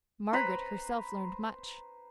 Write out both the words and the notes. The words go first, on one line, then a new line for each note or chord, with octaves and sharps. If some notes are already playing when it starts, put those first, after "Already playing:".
Margaret herself learned much.
B4 C5 A#5 B5